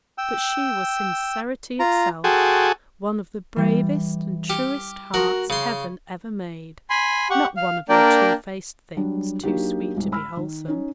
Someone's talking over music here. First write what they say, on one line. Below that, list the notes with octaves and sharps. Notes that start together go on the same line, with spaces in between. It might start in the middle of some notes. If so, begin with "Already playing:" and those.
But she was sincerity itself, one of the bravest and truest hearts heaven ever made, not one of your twofaced things, too sweet to be wholesome.
G5 E6
F4 A#5
F#4 G#4 A4 G5 C6
E3 G3
G4 F6 C#7
F#4 A#4
C#3 C#5 C6
G#5 B5 C6
G4 F#5 C#6
F5
A#3 D4 A#4 D5 G5
F#3 G3 D4 F#4
F#3 A#3 D4 D#4 F#4 G4
C2 G#2
B5 E6 F6
D#3
C#4 D#4